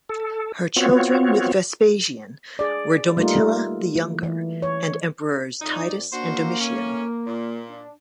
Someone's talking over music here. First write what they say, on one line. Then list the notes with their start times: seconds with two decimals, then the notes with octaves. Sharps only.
Her children with Vespasian were Domitilla the Younger and Emperors Titus and Domitian.
0.09 A4
0.76 B3 C4 F4 F#4 C#5
2.59 G#4 D5
3.17 G3 A3 A#3 D#4 F4
3.96 E3
4.23 E3
4.62 C#5
5.62 F2 D#4 D5
6.13 A#3 D4 F#4 C5
6.61 A2 C#4
7.27 A#2
7.69 D4